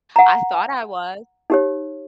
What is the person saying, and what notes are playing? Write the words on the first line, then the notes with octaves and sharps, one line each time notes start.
I thought I was.
F#5 A#5
D#4 G4 C#5